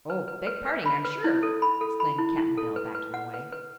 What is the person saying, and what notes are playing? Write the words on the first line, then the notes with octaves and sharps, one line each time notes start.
"Oh; beg parding, I'm sure!" exclaimed Cap'n Bill backing away.
B4
B4
B4
B4
B5
B4
E4
A4
B5
A4
B5
E4
E4
A4
B4
B4
F#5
B4
B4